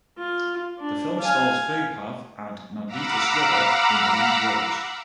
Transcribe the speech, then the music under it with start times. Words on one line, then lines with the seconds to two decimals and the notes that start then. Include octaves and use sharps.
The film stars Vaibhav and Nandita Swetha in the lead roles.
0.19 F4
0.80 D4
1.20 F5 G#5
2.86 F5 F#5 A#5 B5 D6 E6